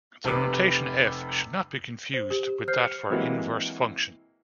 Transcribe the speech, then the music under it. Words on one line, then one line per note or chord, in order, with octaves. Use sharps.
The notation "f" should not be confused with that for inverse function.
F1 C3 B4 D6
C5
G4
C5 F6 G6 C7
F6 C#7
C3 E3 F#3 G#3 A#3